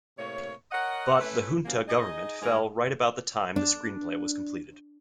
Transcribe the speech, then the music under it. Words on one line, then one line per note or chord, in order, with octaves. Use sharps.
But the "junta" government fell right about the time the screenplay was completed.
A2 C3 A#3 C#5
A#4 C#5 D#5 F#5
A3 C#4 E4 B4
F#2 C3 A#3
D#4 G#4 D#5
G#2 E3 G#4 A#4
D4